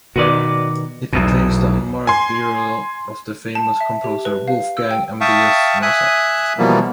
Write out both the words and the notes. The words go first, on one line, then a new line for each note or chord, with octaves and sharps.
It contains the unmarked burial of the famous composer Wolfgang Amadeus Mozart.
B2 D#3 F#4 B4 D5
B1 E2 B2
G#5 C6
A5
E5
G4
B4
F5
E6
G5
E5 F5 G5 A5 C#6 D#6
E5 G#5 D#6 F#6
B2 E3 F3 G3 A#3 B3